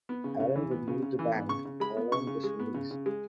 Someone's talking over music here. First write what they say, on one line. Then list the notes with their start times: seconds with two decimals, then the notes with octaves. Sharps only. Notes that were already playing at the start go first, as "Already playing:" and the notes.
Allen would leave the band following this release.
0.09 B3
0.24 C#3
0.40 C#3
0.56 E3
0.71 B3
0.88 C#3
1.02 C#3
1.19 E3
1.34 B3
1.49 C#3 C#6
1.65 C#3
1.80 G#3 B5
1.97 B3
2.11 C#3 C#6
2.27 C#3
2.44 G#3
2.60 B3
2.74 C#3
2.91 C#3
3.06 G#3